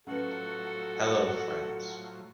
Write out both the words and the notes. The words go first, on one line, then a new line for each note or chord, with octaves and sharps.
Hello friends.
A2 F3 F#3 C#4 F#4 A4 B4 F#5